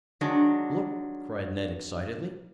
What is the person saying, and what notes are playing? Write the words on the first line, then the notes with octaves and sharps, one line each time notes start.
"Look!" cried Ned excitedly.
D#3 F#3 G#3 D4